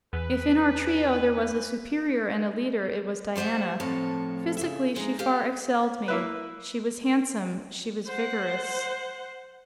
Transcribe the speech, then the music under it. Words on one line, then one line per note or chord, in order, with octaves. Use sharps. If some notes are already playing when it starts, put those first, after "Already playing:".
If in our trio there was a superior and a leader, it was Diana. Physically, she far excelled me: she was handsome; she was vigorous.
E2 G#4 B4
F4 G4 C5 E5 F#5
F2 A2 F3 A4 C#5 A5
C#3 E5
G#3 D#4
G4 A4 F5
A#3 E4 B4
C5 F#5